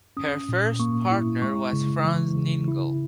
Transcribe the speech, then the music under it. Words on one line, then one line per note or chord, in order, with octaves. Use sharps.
Her first partner was Franz Ningel.
C#4 D#6
A#2
A#3 C#6
E4
G#3 C#6
C#3
E3
C#3
E4